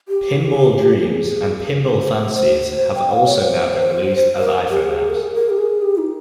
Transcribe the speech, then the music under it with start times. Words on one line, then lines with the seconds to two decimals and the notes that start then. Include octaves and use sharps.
"Pinball Dreams" and "Pinball Fantasies" have also now been released as iPhone apps.
0.09 G4
1.03 G#4
1.99 C5
2.95 G5
3.11 F5
3.26 C#5
3.42 C5
4.39 A#4
4.70 G4
4.86 G#4
5.10 A#4
5.22 G#4
5.34 A#4
5.50 G4
5.58 G#4
5.82 G4
5.97 D#4